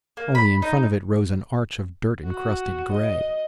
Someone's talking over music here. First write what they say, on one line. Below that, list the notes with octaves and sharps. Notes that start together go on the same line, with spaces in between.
Only in front of it rose an arch of dirt-encrusted gray.
A#3
B5
D#4
F#4
D#5